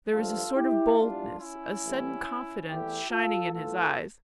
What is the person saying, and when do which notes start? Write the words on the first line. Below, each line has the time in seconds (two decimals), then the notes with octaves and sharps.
There was a sort of boldness, a sudden confidence shining in his eyes.
0.11 G2 F3 A3 F4 A4
0.54 E4 G4
0.97 E2 E3 G3 D4 F4
1.39 C#4 E4
1.83 A2 E3 G3
2.68 E2 E3 A3 E4 G4
3.11 F4 A4
3.53 A2 E3 A3 F4 A4